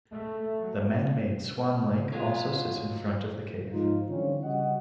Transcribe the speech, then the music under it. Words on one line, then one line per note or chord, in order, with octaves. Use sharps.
The manmade Swan Lake also sits in front of the cave.
A3
F#3
F#3 G#3 B3 F4
G#2 F3 D#4 F4
D3 E3 F3 G3 C4 C#4
C#3 G3 F#4 D#5 F#5